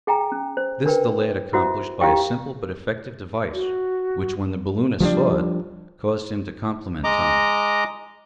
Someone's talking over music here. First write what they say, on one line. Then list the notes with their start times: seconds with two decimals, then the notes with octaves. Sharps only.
This the lad accomplished by a simple but effective device which, when the balloonist saw it, caused him to compliment Tom.
0.07 G#4 G5 G#5 A#5
0.32 C#4
0.57 C5
0.86 D4 A#4 B4 G5
1.53 E4 F#4 C5 E5 F#5
2.01 E4 G4 F5 G5 C#6
3.53 F#4
5.00 F3 G3 A#3 D4
7.04 G#3 D#5 A#5 D6